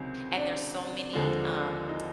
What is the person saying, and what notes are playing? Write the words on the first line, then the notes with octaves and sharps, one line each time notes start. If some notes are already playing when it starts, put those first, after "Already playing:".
And there's so many, um
Already playing: C#2 C3 D#3 F#3 C4
D4
D#2 D3 F3 G#3
D#4